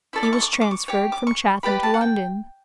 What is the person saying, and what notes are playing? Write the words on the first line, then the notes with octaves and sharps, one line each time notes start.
He was transferred from Chatham to London.
E4 A4 D5 C#6
D6
C#6
D6
C#6
D6
C#6
G4 C#5 D6
D6
C#6
G4 B4 D5 B5
A5
F#5
G5